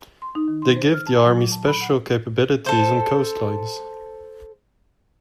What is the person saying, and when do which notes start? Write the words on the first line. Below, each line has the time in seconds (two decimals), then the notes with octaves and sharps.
They give the army special capabilities on coastlines.
0.22 C6
0.35 D#4
0.48 D#3
0.62 C6
0.76 C5
0.93 F6
1.07 A5
1.25 F#3
1.38 A#2
1.52 A5
1.67 B5
1.81 F#5
2.66 A4 C5